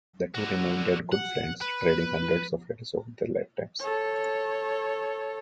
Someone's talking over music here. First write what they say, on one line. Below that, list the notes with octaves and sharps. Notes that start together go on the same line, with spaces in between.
The two remained good friends, trading hundreds of letters over their lifetimes.
D3 F#4
F#5
B4
A4 C#5